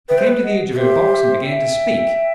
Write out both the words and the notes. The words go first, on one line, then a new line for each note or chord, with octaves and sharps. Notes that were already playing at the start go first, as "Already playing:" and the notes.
He came to the edge of her box, and began to speak.
B4 E5 G5
C5
B4
D#5 F#5
F#4
G4 C5 E5
E5 G5